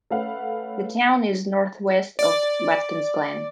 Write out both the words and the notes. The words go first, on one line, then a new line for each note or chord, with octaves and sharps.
The town is northwest of Watkins Glen.
A3 C#4 B4 F5 F#5
D5